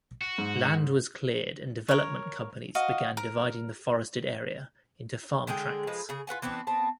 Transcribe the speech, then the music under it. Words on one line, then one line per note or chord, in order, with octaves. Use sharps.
Land was cleared and development companies began dividing the forested area into farm tracts.
F#4
G#2
A#4 C#5
F#4 D#5 F5
A#4
D3 G#3 G#4 G5
F3 G#3 B4
C#3 G#4
F4 B4 F#5 G#5
E3 B3 C4 D4
B3 C4 A5